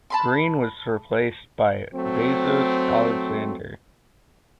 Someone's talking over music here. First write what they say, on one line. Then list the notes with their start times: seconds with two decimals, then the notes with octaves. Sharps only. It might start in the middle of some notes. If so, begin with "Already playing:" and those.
Green was replaced by Vassos Alexander.
0.10 A5 B5 C6
1.93 F#3 A3 C4